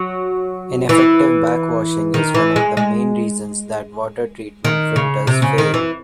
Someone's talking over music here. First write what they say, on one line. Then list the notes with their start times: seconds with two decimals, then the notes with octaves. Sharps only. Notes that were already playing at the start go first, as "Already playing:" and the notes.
Ineffective backwashing is one of the main reasons that water treatment filters fail.
Already playing: F#3
0.89 E3
2.14 D#3
2.34 E3
2.56 G#3
2.77 G#3
4.65 D#3
4.96 C#3
5.27 C3
5.42 C#3
5.58 D#3
5.74 E3